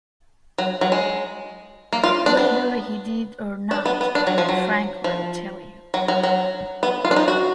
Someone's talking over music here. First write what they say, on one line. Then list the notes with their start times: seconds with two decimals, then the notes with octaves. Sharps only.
Whether he did or not, Frank will tell you.
0.58 F#3
0.81 F#3
0.92 G#3
1.93 A#3
2.04 F4
2.26 D4
2.37 B3
3.71 D4
3.86 B3
4.01 B3
4.15 D4
4.27 F#3
4.38 F3
4.49 F#3
5.04 F3
5.94 F#3
6.08 F#3
6.23 F#3
6.83 B3
7.05 F4
7.11 D4
7.16 D#4
7.28 F#4